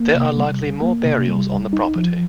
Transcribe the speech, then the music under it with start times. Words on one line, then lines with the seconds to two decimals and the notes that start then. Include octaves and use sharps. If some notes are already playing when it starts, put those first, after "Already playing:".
There are likely more burials on the property.
Already playing: A#3
0.14 C3
0.37 G3
0.60 C2
0.82 A#3
1.05 C3
1.28 G3
1.51 C2
1.73 D#4
1.96 F3